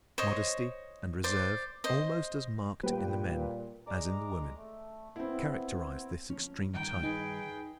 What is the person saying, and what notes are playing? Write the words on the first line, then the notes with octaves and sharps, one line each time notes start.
Modesty and reserve, almost as marked in the men as in the women, characterize this extreme type.
C5 C#5 D#5
C5 D5
C5 D#5
A#2 G3 B4 G5
G#3 D5 A#5 D6
A3
B3 C4 E4
F3 C#4
G2 D#3 G5 A#5
D#4 G#4 B4